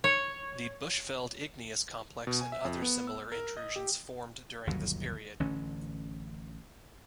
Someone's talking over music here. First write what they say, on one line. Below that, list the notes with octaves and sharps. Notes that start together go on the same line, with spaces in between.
The Bushveld Igneous Complex and other similar intrusions formed during this period.
C#5
B2
G#5
E5
F2
B3
E6
A#4
D#5
G4
G1 D#2 B2 F#3
A1 D3 C#4